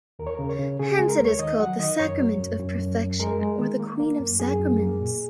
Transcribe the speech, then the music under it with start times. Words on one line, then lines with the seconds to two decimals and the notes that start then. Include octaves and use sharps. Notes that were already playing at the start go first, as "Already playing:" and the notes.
Hence it is called the "sacrament of perfection" or the "queen of sacraments".
0.19 D#2 A#4
0.27 C#5
0.34 C#3 A#4
0.49 C#5
0.59 C#3
0.79 C#3 G#4
0.95 G#3 G#4
1.09 A#4
1.19 D#2
1.25 C#5
1.39 D#3 D#5
1.59 F#3 F#5
1.79 D#3 D#5
1.99 F#2 C#5
2.20 F#3
2.39 F#2
2.59 F#2
2.79 F#2
3.00 F#2
3.19 G#3 A#4
3.39 G#3
3.59 D#3
3.80 A#3
4.00 A#3
4.20 F#2
4.40 F#2 G#4
4.60 F#2
4.80 A#3
5.00 A#2